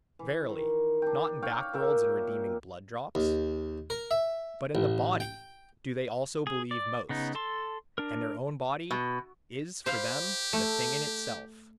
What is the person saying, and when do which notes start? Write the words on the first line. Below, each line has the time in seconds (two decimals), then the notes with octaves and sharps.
Verily, not in backworlds and redeeming blood-drops: but in the body do they also believe most; and their own body is for them the thing-in-itself.
0.19 E3
0.49 D#3
1.02 D4 G5
1.42 C#5 F5 G5 D6
1.73 A#2 A#3 E5 G5
3.15 D#2
3.90 A#4
4.11 E5
4.75 A1
5.20 G5
6.47 G#4
6.71 D5
7.09 C#3 B3 D#4
7.35 A4 A5 C6
7.98 D4 A#4
8.91 B2
9.86 G4 C5 F5 B5
10.53 A3